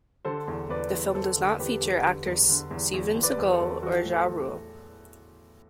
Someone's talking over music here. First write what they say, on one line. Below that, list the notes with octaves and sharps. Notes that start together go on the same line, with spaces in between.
The film does not feature actors Steven Seagal or Ja Rule.
D3 A4 C5
E2
E2 B4 D5
E2
E2 A4 C5
D3
E2 G4 B4
E2
D3
E2
D3
E2
E2
E2
B4 D5
E2
A4 C5
E2
E3 F#4 A4
A2
A4 C5
E3